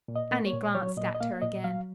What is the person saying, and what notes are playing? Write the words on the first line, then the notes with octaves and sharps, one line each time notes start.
Annie glanced at her again.
A#2
D#5
A#3
C#5
A#2
F#3 C#5
A#2 D#5
D#5
A#3 F5
A#2 D#5
F#3 F5